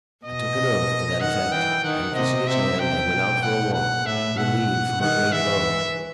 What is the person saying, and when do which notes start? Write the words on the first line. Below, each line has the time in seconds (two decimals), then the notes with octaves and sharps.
I took an oath to that effect, and kissing his hand, I went out for a walk, relieved from a great load.
0.25 B2 D#5
1.20 D#3 F#5
1.51 E3 G5
1.83 D#3 F#5
2.14 C3 D#5
2.47 C3 E5
2.79 C3 G5
3.10 B2
3.42 F#5
3.73 F#5
4.05 A2 E5
4.37 B2 F#5
5.00 D#3 F#5
5.32 E3 E5